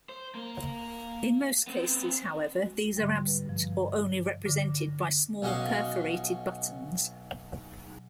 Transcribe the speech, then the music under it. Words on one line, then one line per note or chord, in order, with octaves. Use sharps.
In most cases, however, these are absent or only represented by small perforated buttons.
C5
A#3 A#4
B3 C4
G#3 F#4
G#2 D3 G3
B4
G2 A#2 F3
D3 D6 A#6
B1 C#4 F#4 D#5 F5